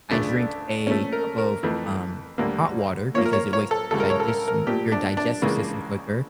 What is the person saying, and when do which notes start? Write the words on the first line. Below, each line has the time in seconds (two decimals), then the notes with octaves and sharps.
I drink a cup of, um, hot water because it wakes up your diges your digestive system quicker
0.11 D2 C#3 F3 A3 D4
0.86 A#2 F3 A3 C#4
1.12 A#4
1.38 A#4
1.63 F2 E3 A3
2.38 D2 D3 G3 A#3
3.14 A#2 F3 A#3 C#5
3.25 A#4
3.33 C#5
3.53 C#5
3.71 A4
3.91 C#2 C#3 G3 A4
4.00 A#4
4.10 C#5
4.20 A4
4.28 A#4
4.48 A#4
4.67 A#2 A3 G4
4.92 D4
5.17 D4
5.42 C#2 C#3 E3 A#3